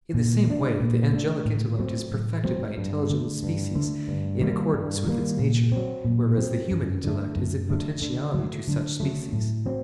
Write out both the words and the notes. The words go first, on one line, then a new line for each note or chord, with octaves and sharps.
In the same way the angelic intellect is perfected by intelligible species, in accordance with its nature; whereas the human intellect is in potentiality to such species.
A#2
A3 D4
A#2
A3 D4
A2
F#3 A3 C4
A2
F#3 A3 C4
G2
D3 A3
G2
D3 A3
G2
D#3 G3 A#3
G2
D#3 G3 A#3
A#2
F#3 C4
A#2
F#3 C4
F#2
D3 A3
F#2
D3 A3
D3
F#3 A3
D3
F#3 A3
A2
F#3 C4